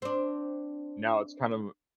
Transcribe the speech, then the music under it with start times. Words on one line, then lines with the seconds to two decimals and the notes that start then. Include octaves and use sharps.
Now, it's kind of
0.02 C4 D4